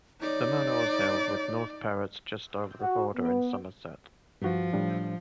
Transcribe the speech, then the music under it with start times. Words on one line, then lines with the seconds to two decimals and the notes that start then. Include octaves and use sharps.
The manor was held with North Perrott just over the border in Somerset.
0.21 D#4 C#5 D5
2.80 F#4
3.16 B3
4.42 G2 F3 F#4
4.73 A2 G3 D4